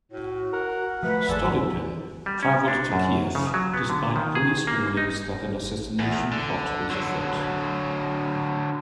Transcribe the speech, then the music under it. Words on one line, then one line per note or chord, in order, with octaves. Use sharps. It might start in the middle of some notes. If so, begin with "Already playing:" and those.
Stolypin traveled to Kiev, despite police warnings that an assassination plot was afoot.
A2 F#4
A#4 F#5
F3 A3 B4
G#1 D#2 G#4 A4 D5
G3
C#4
D4
F#2
C#3
F#3
B3
D3
D#3
G#4
A#3
D#4
E2
D3
D3 F#3